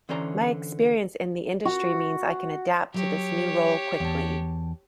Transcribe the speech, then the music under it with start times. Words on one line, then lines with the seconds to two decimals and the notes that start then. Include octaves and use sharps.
My experience in the industry means I can adapt to this new role quickly.
0.09 D3 E3 C#4 C5 A#5
1.65 F#4
2.94 F#3 G4 C#5
4.00 E2 G5 A5